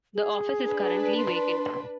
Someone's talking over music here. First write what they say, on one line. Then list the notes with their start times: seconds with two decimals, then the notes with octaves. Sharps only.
The office is currently vacant.
0.15 G#4
0.65 D4 B4
1.17 C6